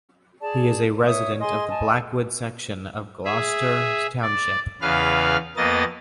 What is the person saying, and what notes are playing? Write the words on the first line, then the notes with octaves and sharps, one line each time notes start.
He is a resident of the Blackwood section of Gloucester Township.
G#4 D5 A5
C#5 E5 D#6
G#4 D#5 G#5 C6
G#5 A5
G#4 E5
D5
E2 C#3 B4 F5 F6
F2 A#3 B3 D#5 A6